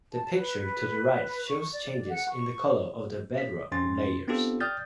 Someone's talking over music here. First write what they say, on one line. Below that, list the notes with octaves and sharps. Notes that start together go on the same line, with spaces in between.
The picture to the right shows changes in the color of the bedrock layers.
A5
B4
C#6
D5
D5
F#5
C#6
B6
F2 C#4 C6 A6
B3 C4 D4 F4 G4 A4
D5 G5 D#6 F6 G6 A6